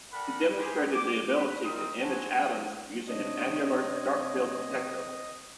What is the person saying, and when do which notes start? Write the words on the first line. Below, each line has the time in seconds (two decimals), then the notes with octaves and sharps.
He demonstrated the ability to image atoms using an annular dark field detector.
0.12 A4 A#4 D5 F#5 G5 B5
0.59 G4 G#4 C5
0.94 D6
1.33 B4
1.64 G3 C4 D#4 A#4 D#6
2.00 C4 F#4 F#5 G#5 A5
3.08 C3 D4 C#5 D#5